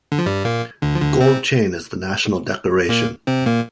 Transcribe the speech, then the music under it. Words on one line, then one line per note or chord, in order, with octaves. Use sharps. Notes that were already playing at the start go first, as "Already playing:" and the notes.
Gold chain is the national decoration.
D3
F3
G2 G3
A#2 A#3
D2 D3
F3
D2 D3
C3 C4
A#2 A#3
C3 C4
A#2 A#3